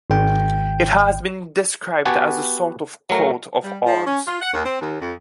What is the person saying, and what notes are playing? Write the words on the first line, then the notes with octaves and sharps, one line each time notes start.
It has been described as a sort of Coat of Arms.
G#1 G5
B3 F#4 G4 G#5 A5
F#3 A3 A#4
G3
F3
C#4
F4
F#5
D#2
C4
D#2
F2